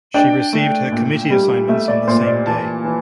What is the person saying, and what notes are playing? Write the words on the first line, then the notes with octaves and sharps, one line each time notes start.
She received her committee assignments on the same day.
D4 G5
A3
A#2
G3
A3 E5
D5
A#2 C5
D5
E3 A5
E3